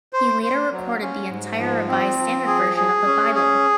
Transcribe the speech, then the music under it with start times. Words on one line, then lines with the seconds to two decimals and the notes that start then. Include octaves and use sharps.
He later recorded the entire Revised Standard Version of the Bible.
0.13 C5
0.42 C5
0.71 F#3
1.01 C#4
1.30 G#2
1.59 F3
1.88 C4
2.18 F3
2.47 G#4
2.76 G#4
3.06 C#4
3.35 G#4